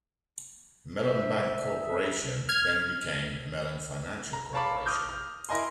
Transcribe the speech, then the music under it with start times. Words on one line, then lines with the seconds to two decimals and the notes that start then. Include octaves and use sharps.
Mellon Bank Corporation then became Mellon Financial Corporation.
1.00 C5 E5
1.56 G3
1.78 G#4
2.49 F6 G#6
4.33 A#5
4.53 C#5 F5 A5 B5 D6
4.86 D6 D#6 F6 G6
5.09 F6
5.49 E4 A#4 D#5 G#5 C6